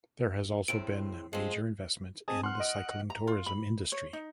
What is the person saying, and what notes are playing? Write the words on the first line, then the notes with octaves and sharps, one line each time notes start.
There has also been major investment into the cycling tourism industry.
E2 A2 C4 D7
F3 G#3 C4
C4 G#4 D#5 A5
F#5 C6 F6
D#5 D7
A#5
F4
B5
C#5
D#4